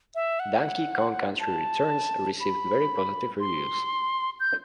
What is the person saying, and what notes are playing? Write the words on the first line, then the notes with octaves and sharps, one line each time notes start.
"Donkey Kong Country Returns" received very positive reviews.
E5
F#5
A5
B5
C6
G6